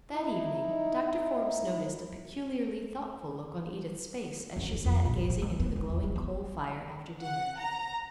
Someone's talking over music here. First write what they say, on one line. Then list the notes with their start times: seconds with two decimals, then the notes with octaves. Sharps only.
That evening Doctor Forbes noticed a peculiarly thoughtful look on Edith's face as she sat gazing into the glowing coal fire after dinner.
0.11 D#4 E4
4.57 F#1
4.73 G3
4.85 F2
5.05 A#1
5.17 A1
5.29 D#4
5.42 G#3
5.60 B3
5.76 C4
5.89 E2
6.03 G#3
6.16 B3
7.21 F#5
7.59 A#5